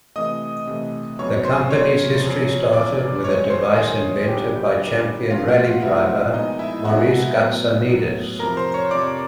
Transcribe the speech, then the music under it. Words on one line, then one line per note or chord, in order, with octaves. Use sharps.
The company's history started with a device invented by champion rally driver Maurice Gatsonides.
C3 E3 A3 D#5 D#6
C3 E3 A3
F2 C#3 F#3 B3 C#5 C#6
C5 C6
F2 C#3 F#3 B3 C#5 C#6
E2 C#3 F3
E2 C#3 F3 D5 D6
F#2 D#3 G#3 C#5 C#6
C5 C6
F#2 D#3 G#3 G#4 G#5
F#2 D3 G3 G4 G5
F#2 D3 G3
C3 F3 A3 F4 F5
F#4 F#5
F4 F5
C3 F3 A3 E4 E5
A#2 F3 G#3 B3 D#4 D#5
E4 E5
A#2 F3 G#3 B3 F#4 F#5
A2 F#3 B3
A2 F#3 B3
F2 C3 F3 A#4 A#5
C5 C6
C#5 C#6
F2 C3 F3 D5 D6